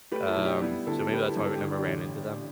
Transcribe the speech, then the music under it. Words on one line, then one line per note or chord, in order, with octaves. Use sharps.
Um, so, maybe that's why we never ran into them,
A3 G4 B4
E4 A4
B1
D4 G4
G3 B3 E4
D2 E4 A4
A4
G3 G4 B4
E4 A4
G1
A4
G4
D3 E4
D4 G4
A1